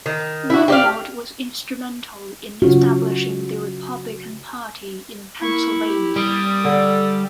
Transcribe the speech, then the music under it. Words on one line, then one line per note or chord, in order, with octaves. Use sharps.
Wilmot was instrumental in establishing the Republican Party in Pennsylvania.
D#3
E4 F#4
G4 D5 F5
C#3 C#4 F4 F#4
A#3 E4 C#6
G4
G3 D5 D#6
D3 A4